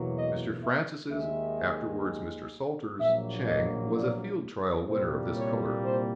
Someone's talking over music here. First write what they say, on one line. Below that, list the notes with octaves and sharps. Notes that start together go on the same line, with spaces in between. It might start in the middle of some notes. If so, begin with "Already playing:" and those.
Mr. Francis's, afterwards Mr. Salter's, Chang was a field trial winner of this colour.
Already playing: E2 B2 F#3 A#3
D#5
E5
D#2 D#3 G#3 E5
A#1 A#2 F#3 A#3 E5
D#5
D5
C2 A#2 G3 A#3 C5
C#5
C5